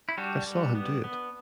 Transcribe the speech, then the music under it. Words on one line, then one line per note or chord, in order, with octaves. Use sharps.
I saw him do it.
E4
G3 D4 F#4
G3
B3
B3